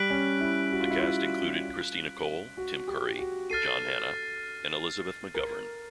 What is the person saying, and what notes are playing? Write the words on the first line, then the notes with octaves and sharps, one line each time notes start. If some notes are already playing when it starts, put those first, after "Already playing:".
The cast included Christina Cole, Tim Curry, John Hannah and Elizabeth McGovern.
Already playing: G3 F#6 B6 D7 F#7
C#4
E4
F#4
F4
E4
F4
F#4
G4
F#4
A4 F6 A6 C7 D#7
A#4